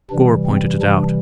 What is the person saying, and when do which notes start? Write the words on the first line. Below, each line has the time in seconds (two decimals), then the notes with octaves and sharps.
Gore pointed it out.
0.11 C3 E3 G3 D4
0.46 C4
0.82 C3 E3 G3 D4